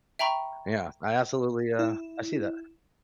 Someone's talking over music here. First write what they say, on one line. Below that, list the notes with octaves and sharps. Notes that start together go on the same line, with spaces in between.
Yeah. I absolutely, uh, I see that.
E5 G5 A#5 B5 C#6
E4